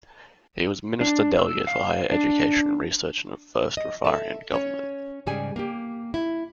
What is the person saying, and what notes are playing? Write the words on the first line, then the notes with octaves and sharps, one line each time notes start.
He was Minister Delegate for Higher Education and Research in the first Raffarin government.
D4
E6
F5
D4
D#5
A4 E5
C#4 C#5
G#2 C#3 G3 G#4 G#5
A#3 G4
E4